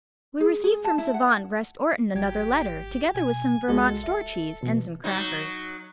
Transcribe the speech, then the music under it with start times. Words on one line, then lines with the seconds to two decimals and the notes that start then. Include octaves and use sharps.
We received from savant Vrest Orton another letter, together with some Vermont store cheese and some crackers.
0.40 G#4
0.64 G#4
0.84 A5
0.98 E4
1.14 F#5
2.15 G#1 F#3 G4 G#6
3.15 B2 G#5
3.68 C2 G#3 F#4 A4
4.04 D1 E5
4.63 B2 E3
5.04 F#3 D#4